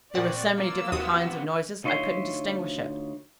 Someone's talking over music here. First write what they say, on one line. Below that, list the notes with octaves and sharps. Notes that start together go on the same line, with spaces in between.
"There were so many different kinds of noises I couldn't distinguish it."
A#2 C4 F#4 D5 F#5
A#3 F4 E6
D#2 C3 B3 F#4 D#6
D2 D#4 F4 C#5 E5 C6